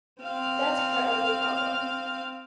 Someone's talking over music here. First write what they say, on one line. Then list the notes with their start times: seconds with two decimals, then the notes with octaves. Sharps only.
That's part of the problem...
0.22 C4 F5